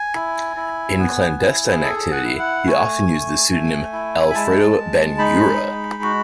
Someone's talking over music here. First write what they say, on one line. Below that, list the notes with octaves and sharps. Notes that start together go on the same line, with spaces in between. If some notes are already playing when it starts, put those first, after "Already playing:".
In clandestine activity he often used the pseudonym Alfredo Bangura.
Already playing: G#5
E4
E4
B3
E4
G#4
G#4 A4
F#5
E4
F#5
A3 G#5
A3
A3
E4
B5
G#3 A5
G#3
D#4 B5
G#3
F#4